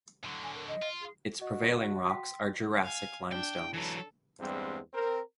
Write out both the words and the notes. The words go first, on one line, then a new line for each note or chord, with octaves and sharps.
Its prevailing rocks are Jurassic limestones.
D3 F#3
G#5
A#4
D#5
F4
G#4
F#4 D#5
G5 C6 B6
F5 G#5
D4 G5
E3 F#3 A4
E2 G2 G3 G#3 C4
C4 A#4